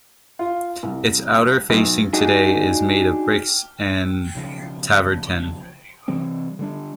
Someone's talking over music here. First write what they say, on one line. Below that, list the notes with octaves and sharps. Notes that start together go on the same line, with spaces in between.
Its outer facing today is made of bricks and travertine.
F4
C2
B1
D4 D#4 F#4 G#4
B1 C#3 F3
C3 E3 G3 C4
D3 G3 D4